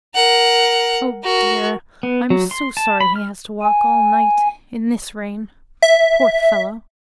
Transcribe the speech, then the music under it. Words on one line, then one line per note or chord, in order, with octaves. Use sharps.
Oh, dear, I'm so sorry he has to walk all night In this rain. Poor fellow!
A#4 F#5
F#4 A#4
B3
F#3
C6
A5
B5
F6
G#5
E5